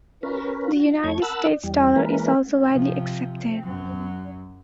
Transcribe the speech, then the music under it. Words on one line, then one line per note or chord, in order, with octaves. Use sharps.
The United States dollar is also widely accepted.
C#4 A#4 B4
F2 A3 C#5 G#6
A#4 F#5 A5 B5 E6 F#6
E2 G3
E3 G#3 A#3 A#4 B4
C3 F3
F#2 F#3